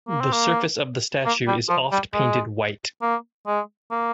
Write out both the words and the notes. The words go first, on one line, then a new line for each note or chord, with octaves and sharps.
The surface of the statue is oft painted white.
A#3
C4
A#3
A#3
G3
F3
G3
G#3
A#3
G#3
A#3